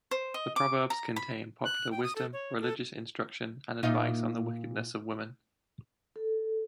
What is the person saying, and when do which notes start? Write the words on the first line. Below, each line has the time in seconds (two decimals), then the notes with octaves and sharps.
The proverbs contain popular wisdom, religious instruction, and advice on the wickedness of women.
0.11 C5
0.34 D#5
0.56 D6
0.90 A#5
1.16 B5
1.65 F#6
1.91 G5
2.03 D#6
2.16 A4
2.33 C#5
2.60 A4
3.83 A#2 D#4 F4
6.16 A4